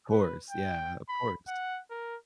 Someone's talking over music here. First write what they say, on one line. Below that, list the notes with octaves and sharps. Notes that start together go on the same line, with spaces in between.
Of course. Yeah. Of course.
B4
G5
B5
F#5
A#4